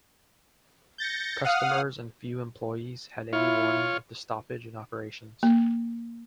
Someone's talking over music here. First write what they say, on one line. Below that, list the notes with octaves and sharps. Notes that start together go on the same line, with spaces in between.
Customers and few employees had any warning of the stoppage in operations.
G6 A6 A#6 C#7
F5 F#5 D#6 F6
E4 F4 C#5
A#3